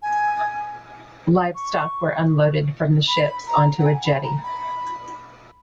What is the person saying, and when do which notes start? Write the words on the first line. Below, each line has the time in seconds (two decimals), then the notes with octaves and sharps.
Livestock were unloaded from the ships onto a jetty.
0.02 G#5
1.55 C#6
3.08 B5
3.47 A#5
3.78 F#5
3.85 G#5
4.05 B5
4.23 A#5
4.43 B5